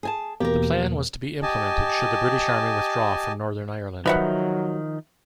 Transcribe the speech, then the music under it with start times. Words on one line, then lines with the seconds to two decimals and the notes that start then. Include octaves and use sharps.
The plan was to be implemented should the British Army withdraw from Northern Ireland.
0.03 G#4 G#5 A5
0.40 E2 B2 A#3 G4 A#4
1.43 G4 D#5 G#5 A5
4.06 D#3 F3 F#3 B4 E5 F#5